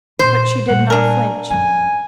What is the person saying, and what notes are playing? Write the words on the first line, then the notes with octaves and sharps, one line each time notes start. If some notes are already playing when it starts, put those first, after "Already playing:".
But she did not flinch.
A#2 A#3 C5
A#2 G3 F#5
D4 A#4 G#5
F2 C#4 G#5